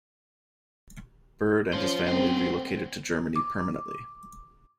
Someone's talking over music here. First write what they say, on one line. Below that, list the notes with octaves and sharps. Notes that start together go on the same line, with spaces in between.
Bird and his family relocated to Germany permanently.
C#4 F4 C5
B3 C4 C5
D6